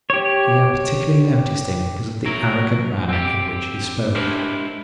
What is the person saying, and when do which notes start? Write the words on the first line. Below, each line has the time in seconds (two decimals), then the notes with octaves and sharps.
He had particularly noticed him because of the arrogant manner in which he spoke.
0.10 G4 C#5
2.25 F#3 E4 A#4
3.09 C4 G4
4.15 G#3 D4 E4 G4 A#4 C5